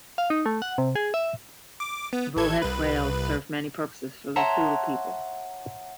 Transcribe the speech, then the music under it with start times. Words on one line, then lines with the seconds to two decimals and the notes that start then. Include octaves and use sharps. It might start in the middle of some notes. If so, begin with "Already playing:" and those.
Bowhead whales served many purposes for the Thule people.
0.18 F5
0.30 D#4
0.46 A3
0.62 F#5
0.78 C3
0.95 G#4
1.14 E5
1.80 D6
2.13 B3
2.36 A1 A4 G#6
2.62 C2 B4
4.36 C#5 E5 F#5 A5 A#5 C6